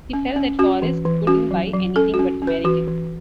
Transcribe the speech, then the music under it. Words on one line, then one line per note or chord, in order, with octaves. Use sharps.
He felt that Forrest wouldn't buy anything but American.
C#4
C#4
C#4 F#4
E3
E3
C#4 F#4
F#3
F#3
C#4 A4
F#4
C#4
C#4
B4
E3 F#4
E3